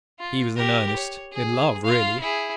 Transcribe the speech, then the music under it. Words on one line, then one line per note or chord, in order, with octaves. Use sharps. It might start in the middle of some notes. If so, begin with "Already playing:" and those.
He was in earnest: in love, really.
F4
G4 A#4
C#5
G#4
F4 F5
E4 G#4